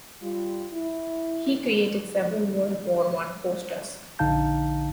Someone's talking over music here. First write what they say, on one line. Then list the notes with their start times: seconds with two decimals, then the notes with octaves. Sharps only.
He created several World War One posters.
0.22 G3 F4
0.73 E4
4.19 A#1 D3 D#4 F5 A5 G6